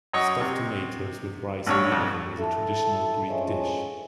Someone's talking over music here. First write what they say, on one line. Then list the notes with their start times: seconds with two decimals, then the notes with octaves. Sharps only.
Stuffed tomatoes with rice in the oven, is a traditional Greek dish.
0.13 F#2 C#5 D#5 C#6
0.41 C3
1.66 A1 G2 D4 C#5
1.92 F2
2.37 E4 A4
3.27 E3 F3 G#3 A3 C#4